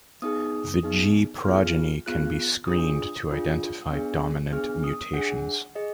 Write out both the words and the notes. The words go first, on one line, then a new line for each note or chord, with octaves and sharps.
The G progeny can be screened to identify dominant mutations.
B3 D#4 G#4 D#6
B3 D#4 G#4
B3 F4 G#4 F6
B3 F4 G#4 F#6
D4 F4 G#4 D#6
D4 F4 G#4
B3 D4 G#4
B3 D4 G#4 F6
D#6
D4 G#4 F#5
G#4 D#5